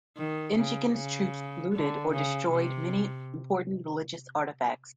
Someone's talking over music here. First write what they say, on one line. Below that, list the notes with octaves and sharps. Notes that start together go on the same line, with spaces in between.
Inchiquin's troops looted or destroyed many important religious artefacts.
D#3
C#3
C#3
D3
C#3
C3